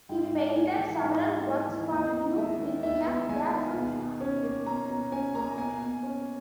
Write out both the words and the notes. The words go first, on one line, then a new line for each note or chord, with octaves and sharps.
He painted several works for Duke William the Fifth of Bavaria.
G#2 G5
G#2
A#3 G#5
E3 G5
G#2 E5
G#2
A#3 D#5
E3
D#2 D#5
B3
G#3 E5
D#3
D#2 E5
B3
G#3 G#5
D#3
B2
B2
C#4
A#3
B2 A#5
B2
C#4 G#5
A#3 A#5
B2 G#5
B2
C#4